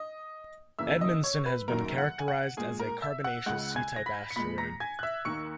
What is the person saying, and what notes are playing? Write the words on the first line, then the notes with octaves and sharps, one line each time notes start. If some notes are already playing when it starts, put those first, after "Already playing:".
"Edmondson" has been characerized as a carbonaceous C-type asteroid.
Already playing: D#5 D#6
F#2 C#3 E3 A#3 E5 E6
D#5 D#6
C#5 C#6
B4 B5
F#2 D#3 F#3 A#3 A#4 A#5
F#5
G#5
F#5
A#2 G#3 G#4 G#5
A#4 A#5
E5 E6
F#5 F#6
C#2 C#3 G#3 F#5 F#6
G#5 G#6
A#6
B5 B6
C#7
A#2 G#3 B5 B6
A#5 A#6
G#5 G#6
F#6
E5 E6
D#2 D#3 A#3 C#6 C#7